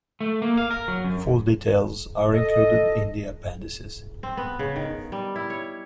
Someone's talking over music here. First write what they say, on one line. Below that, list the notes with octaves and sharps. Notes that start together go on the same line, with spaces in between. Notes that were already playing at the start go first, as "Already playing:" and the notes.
Full details are included in the appendices.
A3
A#3
F5
A#4
F#3
F#2
A4 D#5
C4
B3
C#3
D#3
G3
E4
C#5